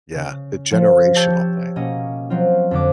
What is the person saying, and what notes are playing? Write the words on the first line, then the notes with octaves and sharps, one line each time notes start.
Yeah, the generational thing.
C#3
F3
G4 C#5 A5 E6 G6
B2 A#3 C#4 D#5
F3 F#3 C4 F4
F2 D3 D6